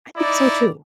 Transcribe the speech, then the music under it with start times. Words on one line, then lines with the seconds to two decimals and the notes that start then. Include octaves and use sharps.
I think so too.
0.16 D#4 E4 D5